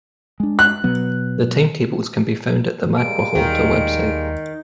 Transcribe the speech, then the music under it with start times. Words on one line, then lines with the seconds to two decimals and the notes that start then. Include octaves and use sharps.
The timetables can be found at the Matkahuolto web site.
0.40 G#3 D4
0.59 F#6
0.84 B2 F#3 B3
2.98 G3 G#3 A#3 D7
3.35 D#2 D#3